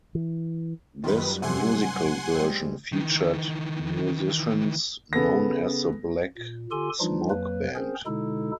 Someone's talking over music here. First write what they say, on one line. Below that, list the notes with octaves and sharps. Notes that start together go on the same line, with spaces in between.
This musical version featured musicians known as the Black Smoke Band.
E3
F#2 D#3 G3 F4 B4
C3 A3 F#5 G#5 C6
G3 G#3 C4
D#3 E3
C#3 B3 A4 A#6
A#2
D3 F4 G4 A4 G#5 C6
E3 F3 G3 D4 D#4 F4
F2 F#3 A#3 B4
C4 C#4 G#4 A#4 C5
B2 D3 G#3 D#4 E4 A4